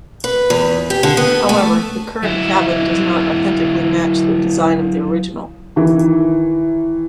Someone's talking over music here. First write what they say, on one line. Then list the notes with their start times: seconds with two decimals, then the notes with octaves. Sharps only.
However, the current cabin does not authentically match the design of the original.
0.24 B4
0.50 E2
0.90 G4
1.03 D3
1.17 B3
1.49 A3
2.23 F#3 E4
5.76 D#3 E3